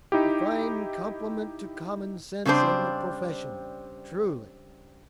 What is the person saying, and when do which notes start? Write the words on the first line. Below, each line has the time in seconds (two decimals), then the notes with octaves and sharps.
A fine compliment to common sense and the profession, truly!
0.12 D#4 E4 G4
2.45 C#3 G3 C4 D4 C5